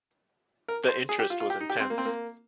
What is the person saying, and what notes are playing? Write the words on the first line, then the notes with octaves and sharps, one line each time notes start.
The interest was intense.
A#4
C5
G#4
G4
F4
F4
G4
D#4
G4
C4
A#3
C4
A#3